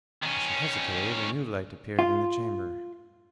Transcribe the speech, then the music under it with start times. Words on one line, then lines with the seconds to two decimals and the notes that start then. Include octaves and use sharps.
As she hesitated a new light appeared in the chamber.
0.23 D#3 C#4
1.99 F4